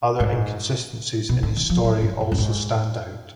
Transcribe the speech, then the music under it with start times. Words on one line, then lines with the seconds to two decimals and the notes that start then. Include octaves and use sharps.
Other inconsistencies in his story also stand out.
0.20 G#2
1.29 B2
1.43 D3
1.57 D#3
1.70 F3
1.84 F#3
2.02 G#2
2.20 G#2
2.32 F#2
2.38 G#2